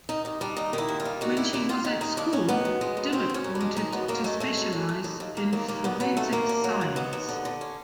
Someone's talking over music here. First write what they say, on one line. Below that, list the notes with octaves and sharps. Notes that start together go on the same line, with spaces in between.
When she was at school Dimmock wanted to specialise in forensic science.
D#3 D#4
D#2 D#4
G3 D4
D#2 D#4
D#3 E4
D#2
F4
G3
D#3 F#4
G3 E4
D#2 E4
D#2 F4
D#3 E4
D#2 D#4
D#2 D4
D#2 C#4
D#3 B3
F#2
G#3
F#2
F#2 C4
F#2 C#4
F#2
D4
G#3
D#3 D#4
F#2 B3
F#2 A#3
G#3 A3
G#3 A3
F#2
F#2
F#2
D#2
D#2
D#2 A#3
D#2 A#3
D#2 A#3
D3 B3
F#3 B3
D#2 A3
D#2 A#3
D3
F#3
D#2
D#2 B3
D#2
D3
D3
C#4